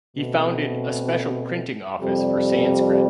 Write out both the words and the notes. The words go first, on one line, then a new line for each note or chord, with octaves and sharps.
He founded a special printing office for Sanskrit.
B2 A3 C4
F2 C3 G3